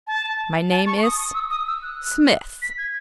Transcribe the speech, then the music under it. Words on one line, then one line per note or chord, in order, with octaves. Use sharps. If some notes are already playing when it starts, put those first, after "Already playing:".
"My name is--Smith."
A5
A5
C#6
D#6
D#6
E6
D#6
E6
F#6
B6
G#6